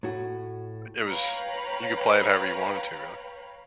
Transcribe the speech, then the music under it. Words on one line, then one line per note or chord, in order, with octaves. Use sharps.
It was you could play it however you wanted to, really.
A2 F#4
B4 C#5 F5 G5 A#5 B5